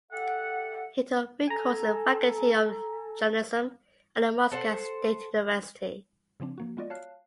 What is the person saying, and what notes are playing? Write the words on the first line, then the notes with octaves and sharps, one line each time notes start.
He took three courses Faculty of Journalism at the Moscow State University.
G4 A4 E5 F#5
A4 G#5 A#5
A4 C5 F#5
C#3 F3 C4 D4
F3 A#3 F#4
G#3 B3 F4 F#4 D5 D#5
C#5 F5 A5 F6 F#6 C7